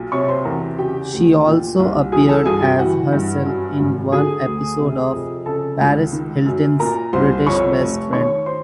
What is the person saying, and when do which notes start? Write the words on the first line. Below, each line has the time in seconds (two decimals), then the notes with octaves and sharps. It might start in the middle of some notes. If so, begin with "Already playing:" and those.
She also appeared as herself in one episode of "Paris Hilton's British Best Friend".
Already playing: B1 A#2
0.12 C3 C#5 C#6
0.28 C5 C6
0.45 E2 A#4 A#5
0.78 C#3 G4 G5
1.12 D2
1.45 A#2
1.79 C2
2.12 E3 G#4 G#5
2.29 A4 A5
2.45 G2 G#4 G#5
2.62 G4 G5
2.79 E3 F#4 F#5
3.13 G2
3.46 F#2
3.79 G#1
4.12 D3 G#4 G#5
4.46 D2
4.79 C3
5.13 F2
5.46 C#3 A4 A5
5.80 C#2
6.13 D#3
6.46 F#2
6.79 A#2 A#4 A#5
7.13 C2 C5 C6
7.46 F2 C#5 C#6
7.80 F1
8.13 D#3 C#5 C#6
8.46 C5 C6